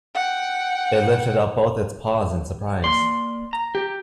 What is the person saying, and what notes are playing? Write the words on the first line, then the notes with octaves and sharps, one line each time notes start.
It lifted up both its paws in surprise.
F#5 G5
A#3 D5 C6
A#5
G4